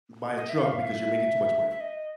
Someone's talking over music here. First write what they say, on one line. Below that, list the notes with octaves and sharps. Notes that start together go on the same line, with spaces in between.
buy a truck because you're making too much money."
D#5
E5
F5
E5
F5
E5
E5
D#5